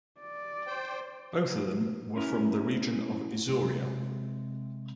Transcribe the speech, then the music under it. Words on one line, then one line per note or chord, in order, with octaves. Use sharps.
Both of them were from the region of Isauria.
D5
C5 G5
C#4 E4 A#4
C3 G#3